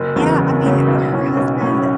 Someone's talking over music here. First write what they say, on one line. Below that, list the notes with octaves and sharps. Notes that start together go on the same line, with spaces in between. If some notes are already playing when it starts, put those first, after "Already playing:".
Yeah. I mean, her husband
Already playing: F#1
E2 C#3 F#3
F#1
E2 C#3 F#3
B1
A2 F#3 C#4
B1
A2 F#3 C#4